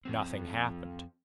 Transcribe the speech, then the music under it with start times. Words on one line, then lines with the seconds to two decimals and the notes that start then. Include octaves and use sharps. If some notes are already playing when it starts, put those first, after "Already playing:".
Nothing happened.
0.05 F2 G#2 C4